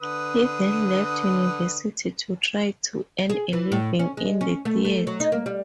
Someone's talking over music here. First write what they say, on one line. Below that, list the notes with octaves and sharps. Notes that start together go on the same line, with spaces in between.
He then left university to try to earn a living in the theatre.
D3 B4 D#6
G#4
E3
A2
C#4
G#3
C#4
A3
A3
F#3
D#4
A#3
G3